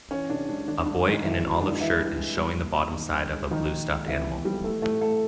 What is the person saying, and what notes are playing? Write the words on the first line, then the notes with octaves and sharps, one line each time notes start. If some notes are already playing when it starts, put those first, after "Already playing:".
A boy in an olive shirt is showing the bottom side of a blue stuffed animal.
E3 C#4
C3 D4
G#3 D4
D#3 D4
G2 D4
D#3 G#3 D#4
D#4
D#3 E3 E4
F#2
G#3 D4
D#4
E3 E4
G2
G#3
G3
A#2
A#2
D#3
G2
G#3
D#3 F3 D#4
A#2
G#3
C3 E3 E4
E2
F3 G3 G4
E3 A3 A4
A2 A3 A4
A3 A4